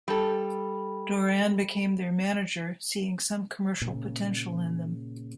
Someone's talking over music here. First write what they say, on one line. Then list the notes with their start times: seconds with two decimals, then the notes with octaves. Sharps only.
Doran became their manager, seeing some commercial potential in them.
0.08 G3 A4
3.82 A#2 C#3